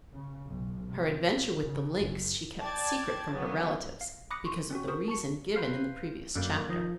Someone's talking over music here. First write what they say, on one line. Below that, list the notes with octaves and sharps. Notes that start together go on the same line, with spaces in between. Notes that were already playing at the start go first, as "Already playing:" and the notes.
Her adventure with the lynx she kept secret from her relatives, because of the reason given in the previous chapter.
C#3
B1
C3
A#2
C#3
F#1
D5 G5 A5 G#6 A6
C#3 F#3 B3 C#4
F5
B5 D6 D#6 F#6 A#6 C#7
C6 C#6
C4 C#4 F#4
F#4 G#4 A#4 C5 C#6 D#6
A5 C#6 C#7
B4 C5 F5
F#2 D3 G3 A#3
D#3 F3 D#4 D#5